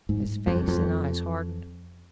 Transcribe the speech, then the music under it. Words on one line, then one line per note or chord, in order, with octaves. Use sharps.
His face and eyes hardened.
G#2
F2
F2